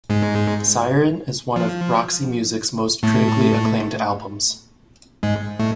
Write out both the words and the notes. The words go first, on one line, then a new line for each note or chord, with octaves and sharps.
"Siren" is one of Roxy Music's most critically acclaimed albums.
G#2 G#3
F3
A2 A3
G#2 G#3
A2 A3